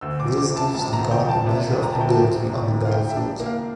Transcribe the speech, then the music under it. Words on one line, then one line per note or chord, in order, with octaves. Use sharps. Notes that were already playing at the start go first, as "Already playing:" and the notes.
This gives the gun a measure of mobility on the battlefield.
D2 E6
D6
F3
D6
C3
A5
E1 A5
A#5
D2
G5
F3
A5
C3
E1
A#5
D2 A5
G5
A5
F3
C3
E1
F5
E3 G5
E5
D4
A#3
F5